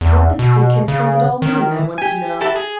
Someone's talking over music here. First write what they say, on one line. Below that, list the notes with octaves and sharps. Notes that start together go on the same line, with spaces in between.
What the dickens does it all mean, I want to know?
E2
B2
C#3
D#3
G4 G#5
E4 F#4 G4 A4 A5
G#4